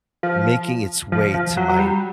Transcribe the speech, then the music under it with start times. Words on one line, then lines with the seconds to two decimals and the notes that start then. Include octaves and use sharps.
making its way to my
0.23 F3
1.12 F3
1.34 F3
1.57 F#3
1.69 F#3
1.79 G3